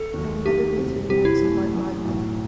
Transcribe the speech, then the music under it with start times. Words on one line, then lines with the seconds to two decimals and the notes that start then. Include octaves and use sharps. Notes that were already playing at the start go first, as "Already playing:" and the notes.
There will never be three notes quite like them.
Already playing: A4
0.13 D#2 D#3 F#3
0.45 D#2 D#3 F#3 G4
0.77 F#1 E2 C3 F#3 C4
1.09 F#1 E2 C3 F#3 C4 G4
1.25 E4
1.42 F#2 E3 A3
1.74 F#2 E3 A3
2.05 B1 A2 F#3